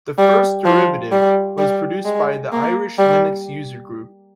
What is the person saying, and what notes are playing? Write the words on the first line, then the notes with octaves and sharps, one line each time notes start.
The first derivative was produced by the Irish Linux Users Group.
G3
F3
G3
G3
G#3
A#3
G3